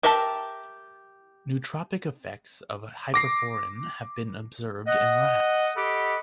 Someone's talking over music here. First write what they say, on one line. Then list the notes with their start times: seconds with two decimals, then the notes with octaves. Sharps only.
Nootropic effects of hyperforin have been observed in rats.
0.03 G4 A#4 E5 G5 A5
3.14 D6 A#6 C7
4.88 D#5 F#5
5.77 G4 A4 D#5 F#5 B5 D6